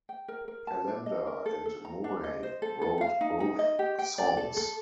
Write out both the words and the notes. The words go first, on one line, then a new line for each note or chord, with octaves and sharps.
Callander and Murray wrote both songs.
G5
A#4
A#4
A5
D4
D#5
A#4
A4
A4
A#5
D4
D#5
C5
A4
A4
F5
D#4
D#4
D#5
G4
G5
D5
A4
A4